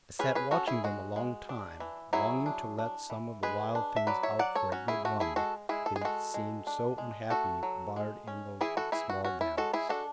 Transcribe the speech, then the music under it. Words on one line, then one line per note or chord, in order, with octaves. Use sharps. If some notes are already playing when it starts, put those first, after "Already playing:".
I sat watching them a long time, longing to let some of the wild things out for a good run, they seemed so unhappy barred in those small dens.
C#4 G#4 B4
G#4 B4
C#4 F#4 A4
E4 G#4
G#3 F#4
G#3
D4
E3
F#3 E4 G#4
D4
D4
E3
G#3 G#4 B4
D4
E5
F#3 B4 D5
C#5 E5
F#3 D5 F#5
A4 C#5
C#4 F#4
E4 G#4
A3 F#4
E4 G#4
G#3 F#4 A4
G#3 E4 G#4
A4
G#4
G#3 F#4 A4
G#3
D4
G#3
A3 F#4 A4
F#3
G#3
C#4
E3 E4 G#4
F#4 A4
E3 E4 G#4
F#4
C#4 F#4
E4
G#3 F#4 A4
E4 G#4
D4 F#4 A4